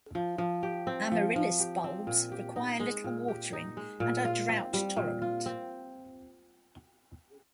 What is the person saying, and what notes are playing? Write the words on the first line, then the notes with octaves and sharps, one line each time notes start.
Amaryllis bulbs require little watering and are drought tolerant.
F3
F3
G4
C4
F3
F3
G4
C4
A#2
G4
D#4
G#3
A#2
G4
D#4
G#3
A#2
F4
C4
G3
A#2
F4
C4